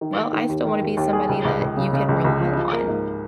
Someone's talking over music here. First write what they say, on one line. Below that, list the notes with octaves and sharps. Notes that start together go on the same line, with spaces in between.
well, I still wanna be somebody that you can rely on.
D#3
D#3
D#3
D#2
D#3
D#2
D#2
G#4
C#2
C#2
C#2
C#3
C#3
C#2
C#2
F3
F3
A#3
G#2